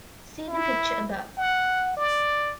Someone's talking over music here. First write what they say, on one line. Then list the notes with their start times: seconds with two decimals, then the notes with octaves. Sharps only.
See the picture above.
0.48 E4
1.38 F#5
1.97 D5